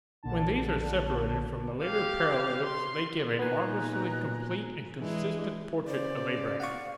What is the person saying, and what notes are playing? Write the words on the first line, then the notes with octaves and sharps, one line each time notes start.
When these are separated from the later parallels they give a marvelously complete and consistent portrait of Abraham.
A#1 A#2 D3 A5
G4 F5
C6
A#2 B3 D#4 G#5 A#5 F#6
E3 G#3 D4 G#4
C#3 C5 D5
F5 F#5 C#6